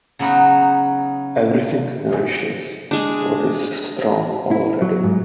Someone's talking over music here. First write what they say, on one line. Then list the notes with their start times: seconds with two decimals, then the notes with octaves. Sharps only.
Everything nourishes what is strong already.
0.19 C#3 F#3 B3 C#4 D#4 F#4
2.91 G#3 D4
4.51 E4
4.82 F#3
5.04 G#2